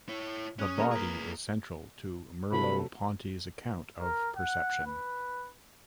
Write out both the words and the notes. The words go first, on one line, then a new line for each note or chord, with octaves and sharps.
The body is central to Merleau-Ponty's account of perception.
E4 C#5
C#4 D#6 F#6
A#3 A#4
G#4 B4
C3 F#3 A3 B5
A#4
F#5
B4